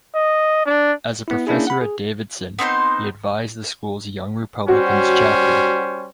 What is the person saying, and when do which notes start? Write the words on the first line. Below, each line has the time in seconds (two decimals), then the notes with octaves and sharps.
As a professor at Davidson, he advised the school's Young Republicans chapter.
0.15 D#5
0.66 D4
1.28 B3 E4
1.47 A#3 C#4 D4 E4 G#4
1.67 F#5 B5
1.81 G#4
2.59 B3 C4 D#4 C5
4.68 G3 C#4 F#4 C5